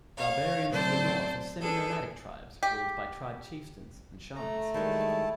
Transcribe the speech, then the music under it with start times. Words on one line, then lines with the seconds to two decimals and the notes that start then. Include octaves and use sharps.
Barbarians of the North are semi-nomadic tribes ruled by tribe chieftains and shamans.
0.17 C#5 F5
0.69 A2 F#3 C4 C5 D5 A5
1.60 D4 G#4 A4 B4
2.63 G4
4.36 A3 A#5
4.74 D#3 G3 G#3 E4 A5